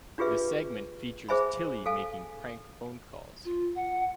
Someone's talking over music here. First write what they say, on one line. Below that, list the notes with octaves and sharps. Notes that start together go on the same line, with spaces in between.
The segment features Tilley making prank phone calls.
D4 F4 G4 G#4 B4 E5
G#4 C5 E5 G#5 B5
A4 F5 G#5
F4
F#5